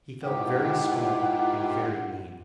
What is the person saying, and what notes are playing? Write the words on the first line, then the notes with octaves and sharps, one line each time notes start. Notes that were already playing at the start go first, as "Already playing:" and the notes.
He felt very small and very mean.
G#2 D#3 E4 F4 G4 F#5